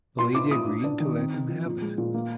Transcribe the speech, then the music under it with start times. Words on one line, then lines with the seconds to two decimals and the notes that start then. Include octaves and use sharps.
The lady agreed to let them have it.
0.19 A#2 C6
0.35 D#4 D6
0.51 A#2 D#6
0.67 D4
0.84 D4
1.00 D#3
1.16 C4
1.33 C4
1.49 F3
1.66 A#2
1.82 G#3
1.98 A#2
2.14 A#3